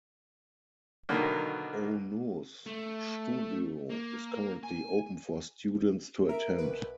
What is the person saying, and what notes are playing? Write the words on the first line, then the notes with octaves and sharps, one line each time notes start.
Ohno's studio is currently open for students to attend.
B2 D3 D#3 F#3 A#3
A3
A#3
G#5
A#4 E5 D7
B1 B4